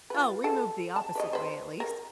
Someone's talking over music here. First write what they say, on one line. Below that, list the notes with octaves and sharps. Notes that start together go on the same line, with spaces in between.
Oh, we moved the opposite way at least.
F4 B4
A4
A5
B4 D5 D#5
B4 C5
A#4